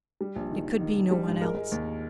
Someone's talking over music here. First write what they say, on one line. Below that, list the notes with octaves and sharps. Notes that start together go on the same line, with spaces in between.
It could be no one else.
G3
A#1
D#3
D#3
D#3
D#3
G3
G#2
G#3 A#4
G#3
D#2